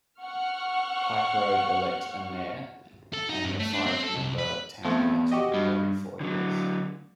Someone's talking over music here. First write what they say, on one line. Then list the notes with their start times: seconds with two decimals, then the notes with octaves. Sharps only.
Pike Road elects a mayor and a five-member town council every four years.
0.21 F#5 C#6 F6
3.14 A4
3.29 D#4
3.45 G2
3.60 A3
3.73 D4
3.87 C4
4.03 A4
4.16 C2
4.38 B4
4.85 E2 F3 A3 C4
5.31 F#4 G4 D#5
5.54 G2
6.21 D3 F#3